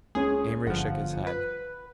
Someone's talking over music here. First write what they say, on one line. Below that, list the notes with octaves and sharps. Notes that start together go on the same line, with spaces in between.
Amory shook his head.
C#2 C#4 G#4
G1 F3 F#5
B4